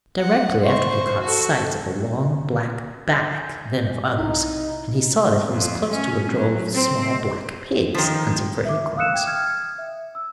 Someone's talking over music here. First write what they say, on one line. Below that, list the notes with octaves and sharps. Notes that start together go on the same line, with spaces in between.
Directly after he caught sight of a long black back, then of others, and he saw that he was close to a drove of small black pigs, hunting for acorns.
F#5
C5 C#6
F#4 A4
G#5 G6
B1 C3 D#4 E4
F2
C#4
F#3
C4
D#3 F3
E5 D6
F5 D#6 E6 F#6 C#7 E7
G5 G#6
D#6 F6 G#6
E5
E6